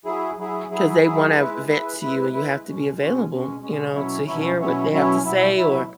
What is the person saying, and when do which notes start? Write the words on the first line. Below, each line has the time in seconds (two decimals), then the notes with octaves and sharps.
'Cause they wanna vent to you and you have to be available, you know, to hear what they have to say or
0.05 F#3 E4 G#4
0.38 F#3 E4 G#4
0.70 F#3 E4 G#4
1.03 F#3 E4 G#4
1.34 G#3 E4 B4
1.67 G#3 E4 B4
2.00 G#3 E4 B4
2.32 G#3 E4 B4
2.64 B2 G#3 C#4
2.96 B2 G#3 C#4
3.29 B2 G#3 C#4
3.61 B2 G#3 C#4
3.93 B2 F#3 C#4 E4 C#5
4.26 B2 F#3 C#4 E4 C#5
4.58 B2 F#3 C#4 E4 C#5
4.91 B2 F#3 C#4 E4 C#5
5.22 B2 F#3 E4
5.55 B2 F#3 E4